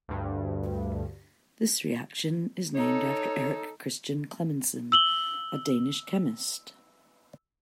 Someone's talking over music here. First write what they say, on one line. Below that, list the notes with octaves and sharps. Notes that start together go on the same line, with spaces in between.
This reaction is named after Erik Christian Clemmensen, a Danish chemist.
D2 G2
D#4 A4 C#5
E6 F#7 G7